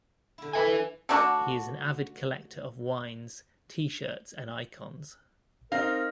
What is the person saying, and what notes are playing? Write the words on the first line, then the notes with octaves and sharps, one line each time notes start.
He is an avid collector of wines, t-shirts and icons.
D3 E4
B4 E5 G#5
D3 A3 D4 F#4
C4 D#4 A#4 F5